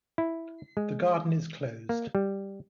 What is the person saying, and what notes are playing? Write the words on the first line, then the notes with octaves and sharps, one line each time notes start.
The garden is closed.
E4
G#3
A#3
G3